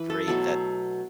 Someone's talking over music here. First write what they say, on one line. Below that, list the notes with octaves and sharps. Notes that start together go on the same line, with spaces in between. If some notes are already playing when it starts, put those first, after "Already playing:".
great that,
Already playing: E3 B4
A4
B2 F#3 A3 A4